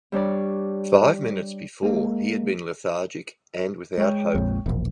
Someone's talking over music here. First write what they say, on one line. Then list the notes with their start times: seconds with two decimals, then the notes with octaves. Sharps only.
Five minutes before, he had been lethargic and without hope.
0.12 G3 D4 C#5 D5
1.83 G#3 A#3
3.98 G#3 C#5 G5
4.35 A#1 F2
4.66 E1 A#1